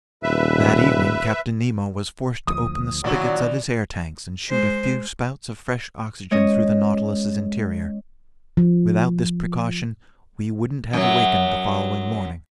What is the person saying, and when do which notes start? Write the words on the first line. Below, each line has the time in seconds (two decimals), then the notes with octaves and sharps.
That evening Captain Nemo was forced to open the spigots of his air tanks and shoot a few spouts of fresh oxygen through the Nautilus's interior. Without this precaution we wouldn't have awakened the following morning.
0.23 D#1 B4 E5
2.47 D2 F3 D#6
3.04 A#1 D#3 E3 F#3 D4 F#4
4.49 G#3 C5
6.31 G#3 C#4 C#5 D#5
8.57 F3
10.93 F#2 F#3